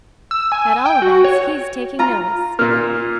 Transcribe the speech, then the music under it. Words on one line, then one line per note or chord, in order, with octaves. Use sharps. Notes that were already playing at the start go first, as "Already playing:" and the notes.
"At all events, he's taking notice."
E6
G#5
G5
F#4
C#5
F4 A#5
A#2 A#3 F6